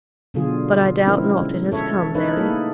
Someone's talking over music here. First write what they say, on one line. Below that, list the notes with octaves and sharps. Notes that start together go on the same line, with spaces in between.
"But I doubt not it has come, Mary."
B2 D3 F#3 F4 G#4
F3 G#3 C4 C#4 E4 A#4
A4 C#5 E5
D#4 E4 A#4 B4 C#5 E5
A3 A#3 G#4 A4